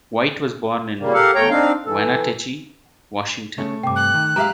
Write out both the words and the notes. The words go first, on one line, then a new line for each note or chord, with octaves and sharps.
White was born in Wenatchee, Washington.
A#2 C#3 G3 A#3
G4 A4 A#4 F5 F#5
E2 A3 C#5 G5 A#5
C4 D4 D#4 F5
E3 A4
C#3 A3
G2 C3 G5 D6
F#6
D#3
F#3 G#3 G4 A#4 E5 F5 A#5